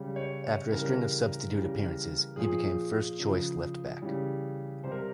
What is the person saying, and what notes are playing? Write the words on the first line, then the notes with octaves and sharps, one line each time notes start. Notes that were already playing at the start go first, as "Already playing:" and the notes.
After a string of substitute appearances, he became first-choice left back.
Already playing: C#3 G3
C#5
C#5
C#3 E3 G3 A#4
C#3 E3 G3
A#2 F3 G#4
C#3 F3
C#3 E3 G3
C3 G3 C5
A#4